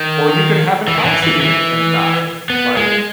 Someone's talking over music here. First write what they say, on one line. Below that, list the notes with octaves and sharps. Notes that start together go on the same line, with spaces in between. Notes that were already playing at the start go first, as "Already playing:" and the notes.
or you could have an accident and die, like,
Already playing: D#3
E3
D#3
E3
E3
E3
B3
G#3